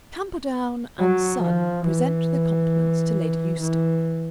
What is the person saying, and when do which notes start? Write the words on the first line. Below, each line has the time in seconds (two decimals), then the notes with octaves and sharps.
Camperdown and Son present their compliments to Lady Eustace.
1.00 F#3
1.43 F3
1.87 E3
3.60 E3